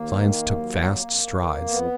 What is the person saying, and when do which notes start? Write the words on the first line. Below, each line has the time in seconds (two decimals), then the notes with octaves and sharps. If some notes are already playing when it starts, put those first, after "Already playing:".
Science took vast strides.
Already playing: D#2 A#3
0.13 D#3
0.35 D#2
0.57 F#3
0.80 F2
1.02 F2
1.24 F2
1.47 F2
1.69 F2 B3